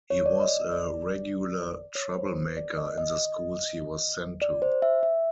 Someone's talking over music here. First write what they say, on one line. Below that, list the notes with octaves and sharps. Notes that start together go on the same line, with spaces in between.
He was a regular troublemaker in the schools he was sent to.
C#5
D5
D#5
D5
C#5
C5
D5
D#5
D#5
D5
C5
E5
E5